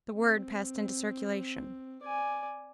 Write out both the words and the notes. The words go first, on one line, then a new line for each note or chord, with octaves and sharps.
The word passed into circulation.
C4
D5 G#5